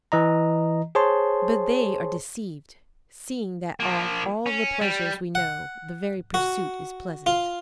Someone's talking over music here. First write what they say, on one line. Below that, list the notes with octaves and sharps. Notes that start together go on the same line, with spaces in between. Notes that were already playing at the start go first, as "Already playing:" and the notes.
But they are deceived, seeing that of all the pleasures we know, the very pursuit is pleasant.
E3 D#5 A#5
G#4 C5 C#5 A5 C6
F3 A#3
C#4
G3
F#5
F#4
F4